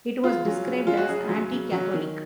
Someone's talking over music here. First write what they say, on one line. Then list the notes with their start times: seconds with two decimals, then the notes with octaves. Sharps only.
It was described as anti-Catholic.
0.23 C#3 F4
0.45 F#3 C#4
0.66 C#3
0.87 F#3 C#4 F4
0.97 F#4
1.08 C#3 G#4
1.29 F#3 C#4
1.51 C#3
1.72 F#3 C#4
1.94 D#3